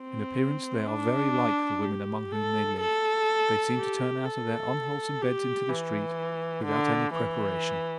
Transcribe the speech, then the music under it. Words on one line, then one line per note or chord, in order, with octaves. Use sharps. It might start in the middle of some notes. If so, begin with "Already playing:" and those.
In appearance, they are very like the women among whom they live. They seem to turn out of their unwholesome beds into the street, without any preparation.
Already playing: C4
D4
G4
A4
A4
G4
A4
G4
E3
D3
E3